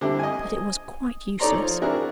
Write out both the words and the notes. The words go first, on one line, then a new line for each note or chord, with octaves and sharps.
But it was quite useless.
D3 G3 C4 E4
D#5 G#5
D#4 A4 C#5 D5 A#5 C6
F3
C4 D4 E4 F#4 G#4 A#4